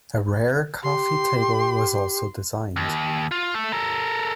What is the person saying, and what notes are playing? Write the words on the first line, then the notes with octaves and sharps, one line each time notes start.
A rare coffee table was also designed.
G4 C6
D#2
F4
A3
A4 A#4